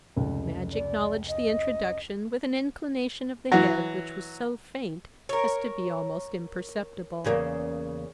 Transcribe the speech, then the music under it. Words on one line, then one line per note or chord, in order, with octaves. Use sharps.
Madge acknowledged the introduction with an inclination of the head which was so faint as to be almost imperceptible.
F1 C#2
D5
D#5
E3 F#3
A#4 C#5
E2 C#3 A#3